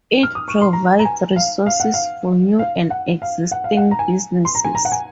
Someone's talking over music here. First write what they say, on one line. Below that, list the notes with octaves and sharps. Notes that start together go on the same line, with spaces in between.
It provides resources for new and existing businesses.
F6
D#6
C#6
C6
A#5
A#5
G#5
F5
F5
F#5
F5
F5
F#5
F5
F#5
F5
F#5
A#5
G#5
C6
A#5
G#5
A#5
F#5
G#5